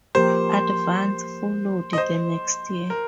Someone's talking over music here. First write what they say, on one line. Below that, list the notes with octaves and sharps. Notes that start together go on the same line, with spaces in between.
"Advance" followed the next day.
F3 A#3 G4 A#4 C5
D#5
C5
A#4